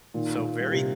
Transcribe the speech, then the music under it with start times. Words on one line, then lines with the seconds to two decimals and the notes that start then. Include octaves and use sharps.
so very
0.14 A#2 D#3
0.38 A#2
0.60 G3
0.72 C3